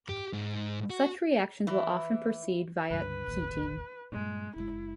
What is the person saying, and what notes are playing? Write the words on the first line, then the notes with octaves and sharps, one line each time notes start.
Such reactions will often proceed via ketene.
G4
G#2
F#4
E3
C#2 G2 D3 B4
E1 A1 D#2
G2 A#2 G#3
F#1 C3 G#3 E4